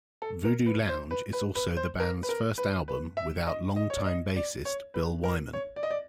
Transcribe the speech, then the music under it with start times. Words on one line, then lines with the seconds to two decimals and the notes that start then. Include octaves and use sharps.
"Voodoo Lounge" is also the band's first album without long-time bassist Bill Wyman.
0.22 A4
0.45 A#4
0.66 B4
0.89 C5
1.11 B4
1.33 B4
1.55 B4
1.77 C5
2.00 A#4
2.23 B4
2.29 A#4
2.58 B4
2.88 B4
3.17 E5
3.46 D#5
3.76 D#5
3.90 C#5
3.97 D5
4.06 D#5
4.36 D5
4.65 C#5
4.94 B4
5.24 A#4
5.53 C#5
5.76 D5
5.83 D#5
5.91 D5